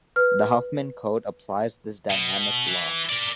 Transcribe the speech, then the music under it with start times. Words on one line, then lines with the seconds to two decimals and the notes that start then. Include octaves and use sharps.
The Huffman code applies this dynamic law.
0.16 B4 F6
2.11 B2
2.67 E3
3.09 A#4 D5